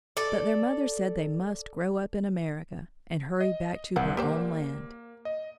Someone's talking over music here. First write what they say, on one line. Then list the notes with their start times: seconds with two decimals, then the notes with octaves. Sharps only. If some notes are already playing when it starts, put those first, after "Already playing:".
But their mother said they must grow up in America and hurried back to her own land.
0.17 A4 D5
3.40 D#5
3.96 C2 C4 E5 F#5
4.17 A#3 G4 C5 D5
5.25 D#5